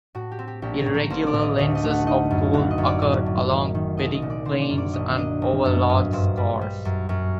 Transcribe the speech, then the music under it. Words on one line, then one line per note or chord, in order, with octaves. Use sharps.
Irregular lenses of coal occur along bedding planes and over large scours.
A2 F#4
G4
C4
G4
A#1 G4
A#4
A2
A#4
A1 C5
D5
A1
D#5
D2 D#5
D#5
A3
F#5
D#4 D#5
F#2
F#1 F#5
D#5
F#2
D5
A2
A2
D#3
D#3
C2 D#5
D#5
A#2
D5
D3 C5
D5
F#2
D5
A#1 D#5
D4 D#5
F#1
F#2
G2 D#5
G2 C5
G3
G3
F#2
F#2